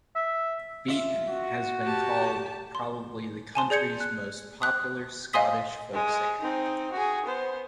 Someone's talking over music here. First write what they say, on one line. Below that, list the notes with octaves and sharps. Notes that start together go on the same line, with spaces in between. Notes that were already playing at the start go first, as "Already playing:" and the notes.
Beaton has been called probably the country's most popular Scottish folk singer.
E5
F4 E5
F#4
G4 A5
C6
G#5 A5 C6
G#4 D5 G6 G#6 C#7
F#6
D#6 F#6
D#5 F5 G#5 C6 D#6 B6
G#3
C4 D#4
F#4 G#4
B3 C5